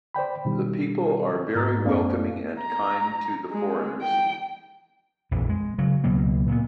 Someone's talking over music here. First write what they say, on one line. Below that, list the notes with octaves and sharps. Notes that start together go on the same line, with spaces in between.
The people are very welcoming and kind to the foreigners.
C5 D5 G5 B5
B2 D#3 G3
G#2 A#5 A6
F#2 A3 B3 C#4 D5 F5
A#5
G#3
G5
A#1 F2 E3
G#3
C#3 F#3
C#2 B2 F#3 A#3
A#2 B3